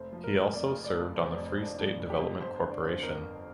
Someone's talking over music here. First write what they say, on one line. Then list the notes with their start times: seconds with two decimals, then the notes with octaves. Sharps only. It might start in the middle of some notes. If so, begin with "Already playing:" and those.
He also served on the Free State Development Corporation.
Already playing: F1 C5
0.13 F3
0.24 A#4
0.34 F1
0.54 F2 D5
0.74 F1
0.85 D5
0.95 F3
1.16 F1 C5
1.32 F2 D5
1.47 C5
1.58 F1 D4
1.79 F3 D4
1.99 F1
2.10 G4
2.19 F2
2.41 G1 C5
2.56 D3 C5
2.71 D5
2.82 G1 C5
3.03 F2 A#4
3.23 G1